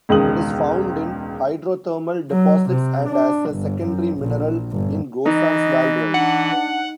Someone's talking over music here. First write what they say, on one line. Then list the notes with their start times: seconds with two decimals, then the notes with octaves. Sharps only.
It is found in hydrothermal deposits and as a secondary mineral in gossans worldwide.
0.09 E1 C#2 D#3 G#3 D#6 F#7
2.31 F#3
2.70 C3
3.09 D4
3.51 G1
3.85 F#2
4.19 A#1
4.72 G1
5.25 E3 D#4 D#5
6.14 D4 F#5